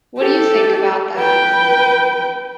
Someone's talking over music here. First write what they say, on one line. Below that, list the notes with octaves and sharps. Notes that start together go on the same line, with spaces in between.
What do you think about that?
G4 A4
B4 G5